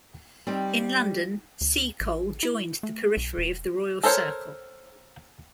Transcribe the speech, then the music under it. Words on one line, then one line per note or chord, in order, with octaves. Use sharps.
In London, Seacole joined the periphery of the royal circle.
G3 C4 D#4
D2
A1
E4
A3
B1
E1
A4 A#4 C5 C#5